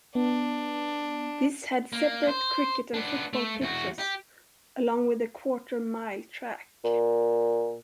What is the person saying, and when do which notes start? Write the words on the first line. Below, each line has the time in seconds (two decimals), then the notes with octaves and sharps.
This had separate Cricket and Football pitches along with a quarter mile track.
0.15 B3 D4
1.93 A#3
2.27 C5
2.94 B3 D4
3.33 A3
3.61 E2 F#4
3.99 G4
6.85 A#2